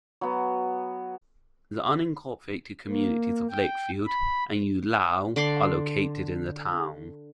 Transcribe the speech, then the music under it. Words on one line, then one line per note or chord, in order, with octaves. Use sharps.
The unincorporated communities of Lakefield, and Ulao are located in the town.
F#3 B3
A#3
G5
B5
D3 D5 C6 D6